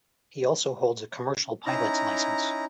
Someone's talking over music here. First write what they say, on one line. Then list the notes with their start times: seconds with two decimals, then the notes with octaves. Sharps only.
He also holds a commercial pilot's license.
1.66 C#4 D#4 E4 A#5